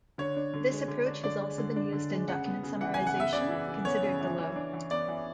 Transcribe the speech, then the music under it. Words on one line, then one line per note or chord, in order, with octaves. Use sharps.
This approach has also been used in document summarization, considered below.
D3 C#5
D4
D3
G#3
D3
D4
D3 D5
G#3
D3
D4
D3
G#3
C#3 F#5
B3
C#3
E3 F#5
G#5
C#3
F#5
B3 E5
C#3 D5
E3
C#3
B3 C#5
C#3
E3
E3
D4
E3
B3 D5
E3